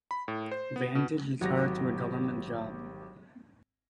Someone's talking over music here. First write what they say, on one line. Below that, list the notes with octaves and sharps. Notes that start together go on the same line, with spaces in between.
Vantage retired to a government job.
B5
A2
C5
B3
B2
G#1 F#3 G4 A#6